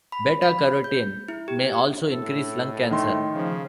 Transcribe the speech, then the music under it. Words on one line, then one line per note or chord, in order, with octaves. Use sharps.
Beta-carotene may also increase lung cancer.
B5
B5
G6
E4
G4
A2 A4
D#3 A3 C6
C#3 F3